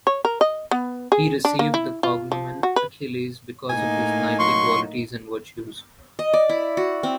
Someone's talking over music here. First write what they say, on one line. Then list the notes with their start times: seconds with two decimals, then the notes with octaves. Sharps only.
He received the cognomen Achilles because of his knightly qualities and virtues.
0.07 C#5
0.25 A#4
0.41 D#5
0.71 B3
1.12 G#4
1.45 D4
1.59 A#3
1.74 E4
2.03 F4
2.32 F3
2.63 F#4
2.76 B4
3.69 A2 A#3 D#4 G#5
4.39 F#3 C6 C#6
6.19 D#5
6.33 D5
6.49 E4
6.77 F#4
7.03 C4